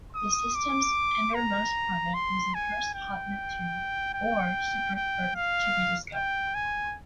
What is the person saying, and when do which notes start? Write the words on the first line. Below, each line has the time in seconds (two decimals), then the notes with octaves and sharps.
The system's innermost planet was the first 'hot Neptune' or 'super-Earth' to be discovered.
0.15 D#6
0.55 D6
1.34 A#5
2.14 C6
2.54 G#5
2.94 G5
4.14 G5
4.95 G5
5.35 F5
6.15 G5
6.55 G#5